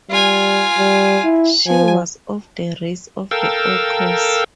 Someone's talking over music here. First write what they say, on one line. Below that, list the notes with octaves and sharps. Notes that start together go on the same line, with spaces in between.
She was of the race of the ogres.
G3 F4 G#5
G3
E4
F3 G#5
A4 A#4 F5 G5 E6